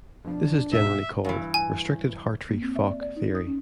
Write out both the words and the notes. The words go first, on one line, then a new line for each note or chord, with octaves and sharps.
This is generally called Restricted Hartree-Fock theory.
F2 B2 F3 D4
E2 G#2 B2 E5
G2 E3
G#5
A#3
C4
E5
D5
D5
D#4
D#6
C#4